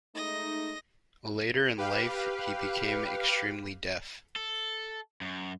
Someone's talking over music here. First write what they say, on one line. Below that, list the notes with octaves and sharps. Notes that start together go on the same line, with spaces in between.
Later in life he became extremely deaf.
G#3 A3 D#4 D#5 A#6
G4 B4 F5
A4
F#2